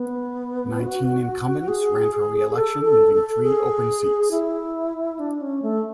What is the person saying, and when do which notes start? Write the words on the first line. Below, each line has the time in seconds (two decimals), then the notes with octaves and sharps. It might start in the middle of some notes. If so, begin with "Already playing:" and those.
Nineteen incumbents ran for re-election leaving three open seats.
Already playing: B3
0.80 F#4
1.68 G#4
2.56 A4
2.85 A4
3.14 A4
3.43 G#4
4.31 E4
5.19 D4
5.41 C#4
5.62 A3